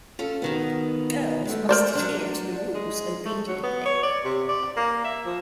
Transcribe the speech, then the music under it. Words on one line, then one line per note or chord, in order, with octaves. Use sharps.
Girls must adhere to the rules obediently.
C#4 F4 A4
B2 D#3 B3
G#3 A3
A#4 C5 D5
F#3 D4
G#3
A3
F#3
B3
C#5
D5
C3
D5
A#3
E5
F3